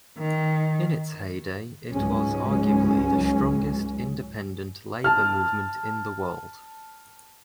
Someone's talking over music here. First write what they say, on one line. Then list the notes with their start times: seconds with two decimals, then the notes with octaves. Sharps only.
In its heyday it was arguably the strongest independent labour movement in the world.
0.19 D#3
1.92 C#2 G#2 F#3 G#3 C#4
5.04 A5 F6